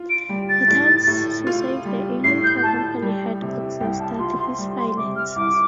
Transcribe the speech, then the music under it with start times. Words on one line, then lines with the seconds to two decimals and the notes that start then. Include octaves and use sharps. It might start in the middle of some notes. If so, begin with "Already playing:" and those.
Attempts to save the ailing car company had exhausted his finances.
Already playing: F4
0.10 D7
0.29 G3
0.49 A6
0.68 A2
1.07 A2
1.47 F4
1.85 G3
2.24 A2 C7
2.44 G6
2.63 A2 A5
3.02 G3
3.42 C3
3.80 C2 G5
4.00 A5
4.19 F4 C6
4.39 C6
4.58 G3
4.78 C6
4.97 C3 D6
5.16 F6
5.36 C2 D6